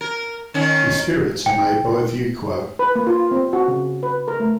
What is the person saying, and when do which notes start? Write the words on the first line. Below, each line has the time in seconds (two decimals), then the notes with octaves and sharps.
The spirits are made by VuQo.
0.01 A#4
0.54 D#3 C#4 D#4
1.46 G5
2.79 B4
2.95 A#3
3.07 F4
3.31 C4
3.53 F#4
3.68 C#3
4.03 B4
4.28 A#4
4.40 A3